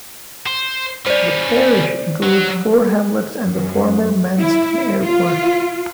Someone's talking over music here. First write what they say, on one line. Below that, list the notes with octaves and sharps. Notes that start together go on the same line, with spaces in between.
The parish includes four hamlets and the former Manston Airport.
C5
G3 C#4 C5 D5
F#3
F#2
E4
F4